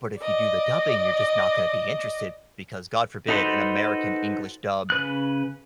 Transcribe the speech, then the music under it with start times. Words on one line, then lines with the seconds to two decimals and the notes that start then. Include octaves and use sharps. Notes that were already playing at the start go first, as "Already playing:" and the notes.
But if you do the dubbing, you're just not gonna be interested because, God forbid, an American English dub
0.19 D5 D#5
3.29 D#4 F#4 A4 B4 C5
4.90 C#3 B4 F#6